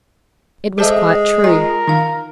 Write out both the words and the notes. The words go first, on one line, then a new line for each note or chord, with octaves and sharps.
It was quite true.
G#3 G#4 A4 C5 E5 A5
F4 A#4 G#5
D#3 D#4 F5